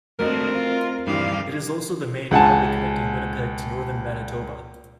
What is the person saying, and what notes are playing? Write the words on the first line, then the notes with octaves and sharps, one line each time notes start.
It is also the main highway connecting Winnipeg to northern Manitoba.
F2 A3 C4 D4 F#4 A#4 D#5
F4
G2 D#3 E3 D4 E4 G4 F5
C#2 F#5 G#5 A5